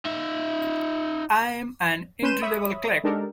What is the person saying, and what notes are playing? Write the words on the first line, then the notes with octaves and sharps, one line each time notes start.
I'm an entry-level clerk.
D#4 E5
C#4 B4 C6 G6 D#7 E7
C#5 E5 B5 D#6
G#3 D4 D#4 G4 A4 A#4